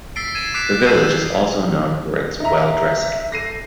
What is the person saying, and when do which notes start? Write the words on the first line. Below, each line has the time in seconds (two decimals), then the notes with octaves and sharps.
The village is also known for its well dressing.
0.16 E6 A6 B6 C7 D7
0.35 G#6 C7 D#7 E7
0.54 D6 F#6 B6 C7 D7 E7
0.84 D#6 E6 G6 C7 D#7 E7
2.40 D#4 E5 A#5
3.32 A4 A#6 C7 D#7